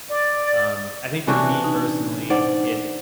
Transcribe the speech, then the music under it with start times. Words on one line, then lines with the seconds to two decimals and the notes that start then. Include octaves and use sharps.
Um, I think for me personally, it
0.10 D5
1.27 C3 E3 C#4 D4 F#4
1.64 D#4
2.30 D#4 C5 D5 F#5